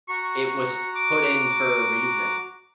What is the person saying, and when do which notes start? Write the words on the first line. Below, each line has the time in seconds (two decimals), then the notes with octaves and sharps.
it was put in for a reason.
0.09 F#4 A#5 C#6
0.96 D6